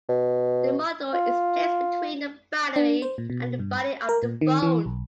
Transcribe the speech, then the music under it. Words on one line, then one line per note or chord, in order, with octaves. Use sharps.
The module is placed between the battery and the body of the phone.
B2
F4
D4
C5
A#2
B2
G2
B5
A#4
A#2
D#3
E3
B1